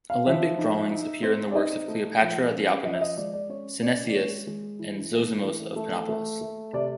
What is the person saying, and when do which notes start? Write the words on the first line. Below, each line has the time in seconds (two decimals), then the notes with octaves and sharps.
Alembic drawings appear in works of Cleopatra the Alchemist, Synesius, and Zosimos of Panopolis.
0.10 F5
0.26 F3 E5
0.59 D#4
0.91 D#4
1.23 C4
1.51 D5
1.55 D#4 D#5
1.88 A3
2.21 F3
2.53 C#4
2.85 F3 D#5
2.94 E5
3.01 D#5
3.17 G#3 D5
3.34 D5
3.49 C#4 C#5
3.82 C#4 D5
4.10 D5
4.14 G#3 C#5
4.47 G#3
4.79 E3
5.11 A3
5.45 E3
5.76 A3
6.09 A3
6.41 A3
6.73 C3 D5